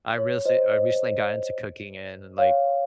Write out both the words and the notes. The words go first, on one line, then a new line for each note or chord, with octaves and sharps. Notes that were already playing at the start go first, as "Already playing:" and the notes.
I rece I recently got into cooking and like,
C#5
C5 D#5
C5 D#5
C#5 F5